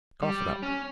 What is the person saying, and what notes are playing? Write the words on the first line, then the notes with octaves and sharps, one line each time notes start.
Cough it up.
G3
C#4